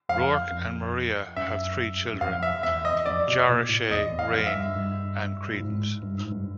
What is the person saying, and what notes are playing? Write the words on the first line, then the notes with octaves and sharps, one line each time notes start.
Roark and Maria have three children: Jara Shea, Reign, and Credence.
F2 F5
F2
F#2 E5
F#2
F2 F5
E5
E2 E5
D#5
F2 D5
B2
A#2
A2
E2 D#5
E2
F5
F2
E5
G2
G2
A2
G#2
G2
G#2
G2